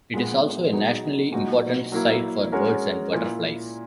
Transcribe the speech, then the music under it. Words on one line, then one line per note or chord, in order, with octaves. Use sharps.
It is also a nationally important site for birds and butterflies.
A#2 G#3 B3
F#3 B3 D#4 G#4
A#2 F#3 A#3 D#4 F#4
F#3 A#3 E4 A#4
G#3 C#4 F#4 A#4
A#2 A#3 E4